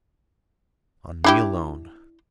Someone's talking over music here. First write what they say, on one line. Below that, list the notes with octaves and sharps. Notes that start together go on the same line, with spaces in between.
On me alone.
D4 E4 G4